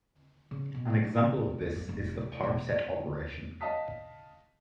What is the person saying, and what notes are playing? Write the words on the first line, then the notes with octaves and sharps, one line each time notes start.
An example of this is the power set operation.
C#3
B2
E3
A#3
D2
G2
F1
E4
E1
D#5 F5 A5 D#6 B6